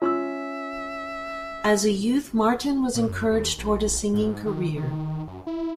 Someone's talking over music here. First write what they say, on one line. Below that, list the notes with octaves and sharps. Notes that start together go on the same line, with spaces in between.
As a youth Martin was encouraged toward a singing career.
C#4 F4 E5 C6 E6
A#2
F#2
D#2
A#1
G#2
D#3
D#3
F#2
E4